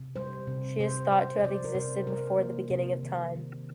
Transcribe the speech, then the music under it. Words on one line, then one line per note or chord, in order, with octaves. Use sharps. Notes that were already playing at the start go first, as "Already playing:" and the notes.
She is thought to have existed before the beginning of time.
Already playing: C3
G3 C5
C3
C3 C5
C3 C5
C5
C3 D5
A#4
C3 C5
C3 A#4
A#3
C3
D#3
D#3